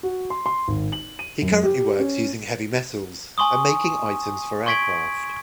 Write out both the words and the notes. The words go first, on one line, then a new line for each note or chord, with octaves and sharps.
He currently works using heavy metals and making items for aircraft.
F#4
C6
C6
G#1
F#7
D#7
F#2
G4
C#4
G#5 C6 C#6 D#6
C6 C#6 G#6 B6 D7 F#7